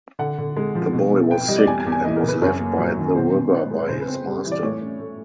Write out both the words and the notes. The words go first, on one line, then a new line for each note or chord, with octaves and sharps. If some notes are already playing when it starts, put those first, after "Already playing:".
The boy was sick, and was left by the river by his master.
D3 F#5
D3
G#3
F3
B2
B2
B3 G5
G3 D#5
D5
E2 G#5
G#5
E2
G#5
E3 D#5
A#4
C#3
B4
F#2 C#5
A#3
F#3
D#3
B2 C5
B2
B3
G#3
B4
C#3 C5
B4
C4
C5
G3
E3
D5
A2 C#5
C#4
A3